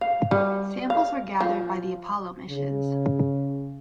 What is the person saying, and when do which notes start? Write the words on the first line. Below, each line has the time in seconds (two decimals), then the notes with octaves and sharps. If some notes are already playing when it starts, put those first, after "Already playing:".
Samples were gathered by the Apollo missions.
0.01 F5
0.31 G3
0.90 F5
1.40 F3
2.49 C#3